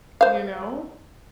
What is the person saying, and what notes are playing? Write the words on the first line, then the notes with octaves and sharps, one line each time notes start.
You know?
C5 F5